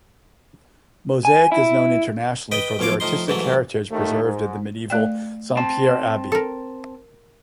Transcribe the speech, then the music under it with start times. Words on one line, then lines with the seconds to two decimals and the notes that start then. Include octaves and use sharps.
Moissac is known internationally for the artistic heritage preserved in the medieval Saint-Pierre Abbey.
1.25 G#5
1.52 E4
2.52 B4 D#5 G5
2.79 B1 F3 C#5 F5 D6
3.00 A2 F3 D#4 C6
3.27 G#2 E3 F#3 A3
3.91 D#2 D#3 A3
4.23 G#2
4.90 A3 D5 G5
5.57 C4 A5
6.32 A4 A#4